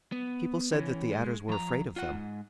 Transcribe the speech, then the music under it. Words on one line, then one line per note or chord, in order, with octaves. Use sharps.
People said that the Adders were afraid of them.
B3
E3 C#4
G#3
F3 A#5
F4 F#5
G#2